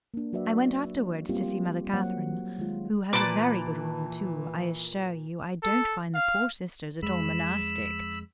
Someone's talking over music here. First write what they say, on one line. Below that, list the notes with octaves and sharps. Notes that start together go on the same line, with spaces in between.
I went afterwards to see Mother Catherine, who has a very good room too; I assure you I don't find the poor sisters at all monastic.
A#3 D4
F#3 F#4 B4 D5 E5
G3 A#3 C4 C#4 F4 G4
F#3 A#3 C5 C#5 F#5
D#3 G#3 F4
A#2 E3 B4 A5 D6
A4
F5
F2 G#3 B5 E6